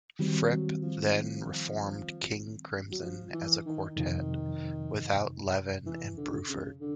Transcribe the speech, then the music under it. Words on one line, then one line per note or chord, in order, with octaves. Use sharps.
Fripp then reformed King Crimson as a quartet, without Levin and Bruford.
D#3 F#3 G3 C4
F#3
F3
F3
F#3
F3
E3
D#3
F2 C3 D#3 F3
E3
D3
C#3
D3